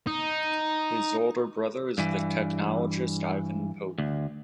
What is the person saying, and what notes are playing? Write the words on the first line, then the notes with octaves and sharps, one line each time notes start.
His older brother is the technologist Ivan Pope.
D#4
G2 E3
D2